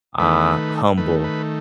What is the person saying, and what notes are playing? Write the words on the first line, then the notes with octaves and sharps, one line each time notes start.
uh, humble
D#3 A3 B4
D#3 A3 B4
B4